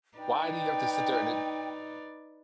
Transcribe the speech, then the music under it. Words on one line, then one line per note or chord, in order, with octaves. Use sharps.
Why do you have to sit there and then
D#4 B4 D5 G5